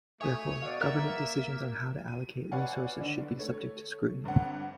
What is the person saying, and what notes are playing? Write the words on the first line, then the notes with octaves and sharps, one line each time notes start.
Therefore, government decisions on how to allocate resources should be subject to scrutiny.
A3 C#5 E5 G#5 D#6
B2 D5 F5
A#3 A#4 D5 E5 F#5
D#7
B4 C#5 D5 F5 F#5 G#5
D3 D4
A3 C#5
G1 G2 C4 F#5